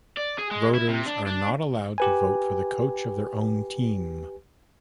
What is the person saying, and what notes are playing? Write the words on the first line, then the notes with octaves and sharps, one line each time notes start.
Voters are not allowed to vote for the coach of their own team.
D5
G#4
G#3
E4
C3
D4
D4
G4 B4 G#5